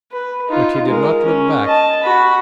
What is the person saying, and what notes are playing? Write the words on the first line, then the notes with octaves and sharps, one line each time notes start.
But he did not look back.
B4
D#4 F4
G#3 A#4
C#4
D#5 A5
F#4 B5